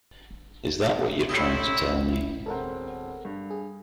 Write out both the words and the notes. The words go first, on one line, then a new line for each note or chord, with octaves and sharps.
Is that what you're trying to tell me?
A2 G3 C4 D#4 E4
E4
E1 C4 A4 A#4 F#5
G2
G#4